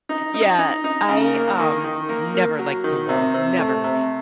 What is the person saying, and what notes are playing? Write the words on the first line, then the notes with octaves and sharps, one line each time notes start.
Yeah, I, um, never liked pinball, never,
D#4
D#4
D#4
D#4
C#3
A#3
D#3
D#3
A#3
A#3
F#3
D#3
C3
C3
A3
C3